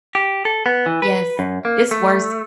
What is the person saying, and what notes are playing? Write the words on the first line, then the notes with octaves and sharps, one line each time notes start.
Yes. It's worse.
G4
A4
B3
E3
B4
F#2
A#3
A3